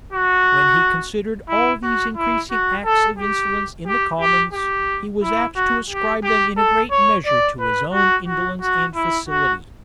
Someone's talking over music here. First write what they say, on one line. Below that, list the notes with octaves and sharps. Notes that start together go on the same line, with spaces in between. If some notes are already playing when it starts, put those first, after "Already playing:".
When he considered all these increasing acts of insolence in the commons, he was apt to ascribe them in a great measure to his own indolence and facility.
F#4
E4
F#4
E4
F#4
A4
G4
G4
G4
G4
E4
F#4
G4
G4
A4
C#5
D5
B4
F#4
F#4
F#4
E4
F#4